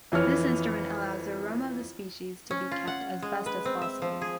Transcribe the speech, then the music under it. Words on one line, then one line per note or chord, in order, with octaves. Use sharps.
This instrument allows the aroma of the species to be kept as best as possible.
F2 E3 C#5 F6
C#4
F4
F#5
G#3
B4
C4
E5
F3
G#4